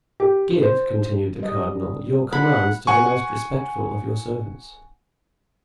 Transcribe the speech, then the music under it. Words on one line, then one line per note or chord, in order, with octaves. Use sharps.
"Give," continued the cardinal, "your commands to the most respectful of your servants."
G4
C5
G3 D#5
F#5 B5
F#5 G#5 C#6